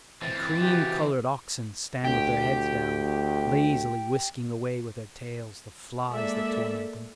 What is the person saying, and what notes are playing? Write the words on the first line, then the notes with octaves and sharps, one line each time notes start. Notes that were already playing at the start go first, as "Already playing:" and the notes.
The cream coloured oxen stand with their heads down, lazily whisking away with their tails the flies that torment them.
E3 C4 A6
F#4 G4
D2 G4
G#3 A#3 A4 D5 E5